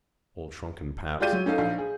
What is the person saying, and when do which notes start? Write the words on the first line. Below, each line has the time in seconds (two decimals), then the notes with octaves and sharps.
Old shrunken paps.
1.20 G#3 F4 G4 D5 G6 D#7
1.33 F#3
1.46 C#4 D#4 A4 F5
1.58 A#1 F5
1.78 G#4